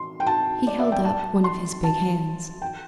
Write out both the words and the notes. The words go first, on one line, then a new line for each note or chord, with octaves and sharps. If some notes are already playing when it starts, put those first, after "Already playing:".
'He held up one of his big hands.
Already playing: C6
G5
A5
D5
E5
G5
A5
C6
A5
G5